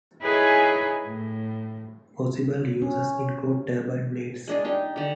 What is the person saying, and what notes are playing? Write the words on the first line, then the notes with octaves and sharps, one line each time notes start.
Possible uses include turbine blades.
D#4 E4 G#4 B4 C#5 G#5
A2
C#4
G#3 D4 G#4
D4 D#4 G4
D3 G4